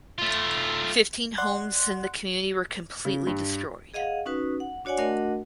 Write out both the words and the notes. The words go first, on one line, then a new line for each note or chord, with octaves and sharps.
Fifteen homes in the community were completely destroyed.
A3 F4
D5 F#5 C6 F#6
C#3
G2
G#4 D#5 F5 F#5
C#4 D#4 F#4 B4
F#5
D4 F#4 C#5 D5 F#5 G#5
A3 D4 F#4 A#4 D#5 F#5